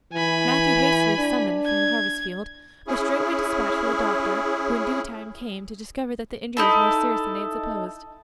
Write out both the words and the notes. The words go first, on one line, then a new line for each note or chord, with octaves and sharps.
Matthew, hastily summoned from the harvest field, was straightway dispatched for the doctor, who in due time came, to discover that the injury was more serious than they had supposed.
E3 G#5 B5
D4
G#6
C#4 E4 G#4
D#4 E4 A4